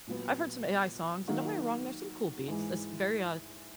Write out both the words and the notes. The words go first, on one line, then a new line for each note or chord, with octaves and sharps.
I've heard some AI songs, and don't get me wrong, there's some cool beats, esp very, uh,
A#2 F#3 B3
D#3 F#3 A#3 D#4 F#4
G#2 E3 G#3